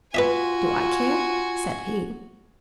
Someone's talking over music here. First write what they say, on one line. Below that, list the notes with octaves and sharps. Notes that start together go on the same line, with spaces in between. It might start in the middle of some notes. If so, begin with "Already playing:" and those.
"Do I care?" said he.
F4 F#4 B4 D#5 E5 G#5